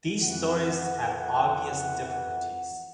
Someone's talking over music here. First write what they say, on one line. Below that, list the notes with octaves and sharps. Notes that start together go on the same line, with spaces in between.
These stories have obvious difficulties.
F2 E3 F#5